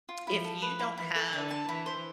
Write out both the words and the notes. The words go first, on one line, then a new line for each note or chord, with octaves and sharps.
If you don't have
F4
F3 E4
A4
B4
E4
E3 E4
A4
D3 A5
A5
E3 E4
C5